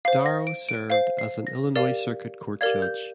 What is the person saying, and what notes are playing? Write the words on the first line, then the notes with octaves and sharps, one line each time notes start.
Darrow served as an Illinois Circuit Court judge.
C5 F5 C7
A#6
D7
D7
C5 F5 C7
C7
A#6
G4 A#4 D5 F5
G4 A#4 D5 F5 G#6
G6